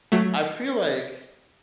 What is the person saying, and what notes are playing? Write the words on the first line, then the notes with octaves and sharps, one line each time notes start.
I feel like
F#3 A3